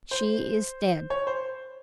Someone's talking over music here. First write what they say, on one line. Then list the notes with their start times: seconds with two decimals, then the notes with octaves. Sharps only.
She is dead.
0.11 C5
1.10 C#5
1.27 C5